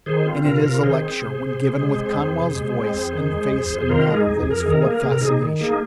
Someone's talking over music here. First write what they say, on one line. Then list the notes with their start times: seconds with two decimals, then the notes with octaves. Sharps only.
And it is a lecture, when given with Conwell's voice and face and manner, that is full of fascination.
0.06 D#3 G#4 C5
0.26 C4 F4
0.45 C3 F4 A#4
0.64 C3 F4 A#4
0.83 D#3 G#4 C5
1.02 C4
1.22 C3
1.41 C3
1.59 C3
1.79 G#3
1.98 C4
2.17 F2
2.36 C3
2.55 G#3
2.75 C4
2.94 F2
3.12 D#3
3.32 G#3
3.51 F2
3.70 F2
3.78 G#4
3.89 D#3 F4 A#4
4.08 G#3 A#4
4.14 D#4 G#4
4.27 F2
4.40 G#4
4.46 F2 A#4
4.60 G#4
4.66 D#3 A#4
4.81 A#3 G#4
4.91 A#4
5.01 C3 G#4
5.11 A#4
5.21 C3 D#4 G#4
5.42 D#3
5.61 A#3 D#4 G#4